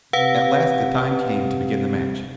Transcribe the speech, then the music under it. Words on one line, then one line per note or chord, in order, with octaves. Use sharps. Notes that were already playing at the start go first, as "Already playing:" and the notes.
At last the time came to begin the match.
C3 B4 F5 F#5